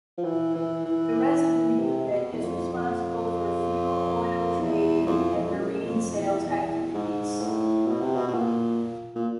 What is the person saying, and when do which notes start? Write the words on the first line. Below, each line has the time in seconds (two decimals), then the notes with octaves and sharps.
The Residue unit is responsible for fuel oil trading and marine sales activities.
0.18 F3
0.24 E3
0.55 E3
0.85 E3
1.79 C3
2.10 B2
2.32 E2
2.42 F2
2.73 F2
4.60 E2
5.07 F2
5.36 E2
5.45 F2
5.54 F#2
5.85 F2
6.17 E2
6.47 E2
6.94 G#2
7.41 A2
7.87 B2
8.01 C3
8.15 B2
8.28 B2
8.34 A#2
9.15 A#2